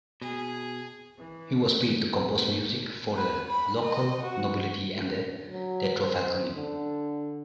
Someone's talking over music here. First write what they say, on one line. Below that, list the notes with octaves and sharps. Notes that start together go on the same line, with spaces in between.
He was paid to compose music for the local nobility and the Teatro Falconi.
B2 G#4
E3
A#1
B4
B5
D#5
F#4
D2
F#3
C5
D3